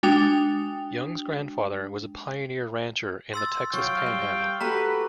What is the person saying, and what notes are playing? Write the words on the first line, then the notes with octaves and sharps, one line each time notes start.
Young's grandfather was a pioneer rancher in the Texas Panhandle.
G#3 D4 F#4 G5 D#6 F7
C6 E6 A6
F#3 F5 G5 C#6
G3
F#4 G4 A4 B4 A#5